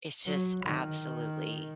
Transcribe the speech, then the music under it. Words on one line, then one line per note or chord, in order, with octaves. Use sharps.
It's just absolutely
F#3
D#3